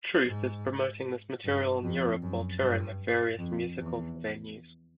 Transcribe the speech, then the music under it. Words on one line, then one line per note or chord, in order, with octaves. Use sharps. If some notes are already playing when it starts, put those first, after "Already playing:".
Truth is promoting this material in Europe while touring at various musical venues.
G#2
G2
F2
F#2
G2
F2
E2